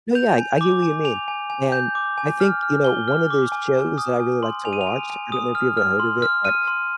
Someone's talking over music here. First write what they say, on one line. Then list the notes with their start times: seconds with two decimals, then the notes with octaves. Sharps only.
No, yeah, I I get what you mean. And I think, you know, one of those shows that I really like to watch, I don't know if you've ever heard of it, but
0.15 G6 F7
0.38 G#5
0.61 D6
0.82 G#5
1.05 G#5 F7
1.28 G#5
1.50 G#5
1.72 G6
1.95 D6
2.18 G#5
2.40 F6
2.63 F6
2.84 G#5 G7
3.08 F6
3.30 D6
3.52 G#5
3.75 G#5
3.98 D#6
4.20 G#5
4.43 C6
4.65 G#5 F7
4.73 D#7
4.81 F7
4.87 G#5
5.10 G#5
5.32 D#6
5.55 F6
5.77 F6
6.00 C6
6.22 F6
6.44 F6 D#7
6.68 C6